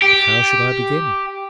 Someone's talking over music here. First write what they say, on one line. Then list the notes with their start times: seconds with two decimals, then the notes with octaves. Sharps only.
But how should I begin?
0.02 G4